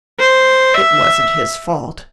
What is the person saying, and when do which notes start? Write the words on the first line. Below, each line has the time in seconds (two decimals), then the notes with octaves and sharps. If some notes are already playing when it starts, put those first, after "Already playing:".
It wasn't his fault.
0.20 C5
0.74 E5